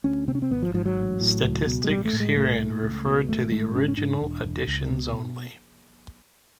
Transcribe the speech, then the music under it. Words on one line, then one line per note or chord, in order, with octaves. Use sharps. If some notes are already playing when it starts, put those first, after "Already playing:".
Statistics herein refer to the original editions only.
D2 C#4
C3 C4
C#4
C4
G#1 B3
F3
G#2 F3
F#3
A1
A2
C#2
B2
G#3
A1 G3
A3
A2
G#3
C2 A3
A#2
C#2
B2
G#1 A3
G#2 A3
G#1 C#4
C#4
G#2 D4
E1
E1
C#2
B2